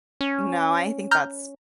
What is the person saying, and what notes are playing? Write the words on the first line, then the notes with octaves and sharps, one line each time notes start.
No, I think that's
C#4
A#5 F6 G6